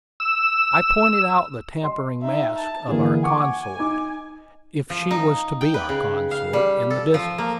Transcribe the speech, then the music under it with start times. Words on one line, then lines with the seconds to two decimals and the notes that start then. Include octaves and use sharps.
I pointed out the tapering masts of our consort--if she was to be our consort--in the distance.
0.20 E6
1.83 D#5 C6
2.22 D#4 E5
2.59 A5
2.88 D3 E3 A#3 G#4
3.23 F#5 G#5 C#6 D6
3.79 D#4 D6
4.90 F3
5.11 D#4
5.61 G5
5.74 B4
5.89 C#3
6.31 F5
6.53 G3
6.90 A4
7.14 F3
7.38 A#3